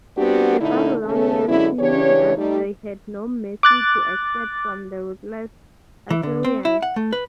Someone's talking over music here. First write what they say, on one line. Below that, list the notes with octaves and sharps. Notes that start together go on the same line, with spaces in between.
The Babylonians knew that they had no mercy to expect from the ruthless Assyrians.
G3 B3 C4 D4 F#4 G4
A#2 D3 A3 D#4 E4
D#2 C#3 A3 C#4 A4
F#2 D3 G#3 C#4 E4
C#3 E3 D4 G4 C#5
G3 A3 D#4
D6 F#6 A6
E3
D3
C4
E4
F#5
A3
B4